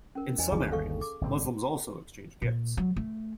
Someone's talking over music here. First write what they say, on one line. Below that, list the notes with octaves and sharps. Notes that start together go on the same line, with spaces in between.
In some areas Muslims also exchange gifts.
C#4 A#4
E2 D#5 G#5
G1 D#2 G#4
A4 F5 C#6
D6
G#1 G2 C4
A#2
F#3
A3